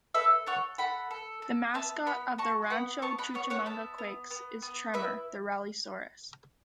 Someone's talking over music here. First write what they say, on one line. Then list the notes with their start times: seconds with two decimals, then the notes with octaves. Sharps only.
The mascot of the Rancho Cucamonga Quakes is Tremor, the "Rallysaurus".
0.14 A4 B4 E5
0.46 A4 C#5 F#5
0.78 A4 F#5 B5
1.11 A4
1.42 A4
1.74 B3 E5 A5
2.06 B3 F#5 B5
2.38 F#4 A5 C#6
2.70 B3 F#5 B5
3.02 B3 A5 C#6
3.18 F#5 B5
3.34 B3 C#5 F#5
3.50 C#5 F#5
3.66 B3 E5 A5
3.98 B3
4.31 B3
4.62 B3
4.94 E4 B4 E5